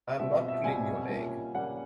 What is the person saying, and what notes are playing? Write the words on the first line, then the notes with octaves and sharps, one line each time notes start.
I am not pulling your leg.
B2 G3 C4 E5
D#5
E5
B2 G3 C4 G#5
A#2 G3 A#3 C#4
A#2 G3 A#3 C#4 F#5